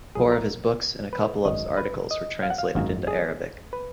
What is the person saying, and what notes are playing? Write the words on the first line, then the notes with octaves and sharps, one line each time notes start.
Four of his books and a couple of his articles were translated into Arabic.
B1 A#2 F3 G#4
A#4
B4
G#1 F#2 D#3 D#5
B4
D#5
F5
F#5
F5
G#1 F#2 D#3 A#3
G#4
B4